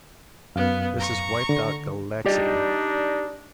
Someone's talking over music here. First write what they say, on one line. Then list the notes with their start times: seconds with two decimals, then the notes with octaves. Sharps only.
This has wiped out Galaxity.
0.56 F#2 B3 F5
0.98 A#5 C#6
1.49 D3
2.26 D4 D#4 G4 D5 D#5